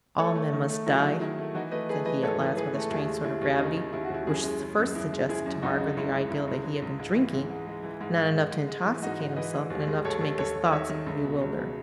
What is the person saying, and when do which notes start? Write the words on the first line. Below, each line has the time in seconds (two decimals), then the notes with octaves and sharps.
'All men must die,' said he at last, with a strange sort of gravity, which first suggested to Margaret the idea that he had been drinking--not enough to intoxicate himself, but enough to make his thoughts bewildered.
0.19 A3 A4 C#5
0.36 A3
0.53 D#3
0.70 A3
0.86 F#3 E4 G#4
1.05 D#3
1.21 D#3 E4
1.39 A3
1.55 E3 D#4 F#4
1.71 A3 B4 D#5
1.89 A3 G#4 B4
2.05 E3 B4 D#5
2.23 G#2 A4 C#5
2.39 E3
2.57 E3 G#4 B4
2.74 A3
2.80 A4
2.90 D#2 E4 G#4
3.08 G#3
3.24 D#2 E4
3.41 D#2
3.59 C#3 D#4
3.77 D#2
3.93 D#2 E4
4.04 F#4
4.10 D#2 E4
4.27 F#2 E4 G#4
4.43 G#3
4.61 C#3
4.78 F#2
4.95 F#2 E4
5.12 G#3
5.29 G#3 E4 G#4
5.46 F#2
5.62 C#2 D#4 F#4
5.79 C#3
5.97 C#2 E4
6.14 G#3
6.30 C#2 E4
6.47 C#2
6.64 G#3
6.82 C#2
6.99 G#2
7.16 E3
7.33 G#2
7.50 G#2
7.67 G#3
7.83 E3
8.01 G#2
8.17 G#2
8.34 G#3
8.51 G#2
8.69 G#3
8.85 E3
9.02 G#2 D#4 F#4
9.19 G#2
9.36 E3 B4 D#5
9.53 G#2
9.70 D#2
9.87 G#3
10.05 D#2 A4 C#5
10.21 D#2
10.38 D#2 A4 C#5
10.56 D#2
10.72 D#3 C#5 E5
10.89 D#3
11.06 C#2
11.24 B2
11.41 C#2
11.58 B2